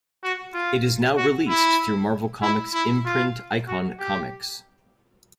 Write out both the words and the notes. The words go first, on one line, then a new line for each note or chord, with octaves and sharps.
It is now released through Marvel Comics' imprint Icon Comics.
F#4
F4
F#4
E4
E4
E4
F4
F#4
G4